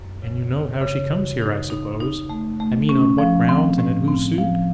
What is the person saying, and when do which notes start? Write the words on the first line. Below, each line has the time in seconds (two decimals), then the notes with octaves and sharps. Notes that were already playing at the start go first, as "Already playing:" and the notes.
'And you know how she comes here, I suppose; I mean on what grounds, and at whose suit?'
Already playing: F#2
0.22 C#3
0.52 C#3
0.82 C#3
1.11 F#4
1.42 D#4
1.70 D#4
2.00 D#4
2.30 A3
2.60 A3
2.89 C#4
3.18 F3
3.49 C4
3.78 A2
4.08 C4
4.38 F3